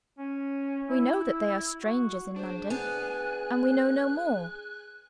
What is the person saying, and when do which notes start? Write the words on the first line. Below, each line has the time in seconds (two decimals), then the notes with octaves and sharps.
We know that they are strangers in London--and we know no more.
0.19 C#4
0.89 E4
1.82 F#4
2.36 D4 G#4 C5
2.70 B3 D4 G#5 F#6